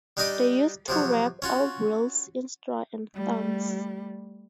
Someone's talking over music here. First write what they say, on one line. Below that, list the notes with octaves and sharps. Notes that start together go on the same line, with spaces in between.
They used to wrap old wheels in straw and thorns.
G3 D4 D#4 D#5 D6 D#6
C3 F3 F#3
C#4 F4 F#4
G3 A3